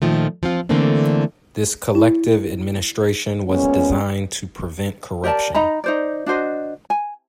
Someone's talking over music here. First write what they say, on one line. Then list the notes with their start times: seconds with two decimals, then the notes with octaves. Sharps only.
This collective administration was designed to prevent corruption.
0.02 A#2 D#3 F3 A3
0.43 F3 C4 F4
0.69 D3 E3 A3 A#3 C4 D4
1.95 E4
3.47 A#2 G#3 B3 C#4
5.24 G4 A#4 D5 A5
5.55 D#4 D#5 A#5 B5
5.84 D#4 C5 D5
6.26 D4 F#4 C5 D#5
6.90 G#5